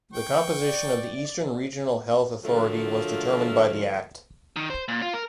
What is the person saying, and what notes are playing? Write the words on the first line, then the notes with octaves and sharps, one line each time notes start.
The composition of the Eastern Regional Health Authority was determined by the act.
G5 C#6
D5
D3 F3 F#3 A3 F4 A#4
D#3
C5
A#2
F4
A#4